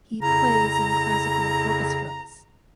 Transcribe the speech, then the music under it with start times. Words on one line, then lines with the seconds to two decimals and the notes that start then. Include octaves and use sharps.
He plays in classical orchestras.
0.22 F2 C#3 E4 A#5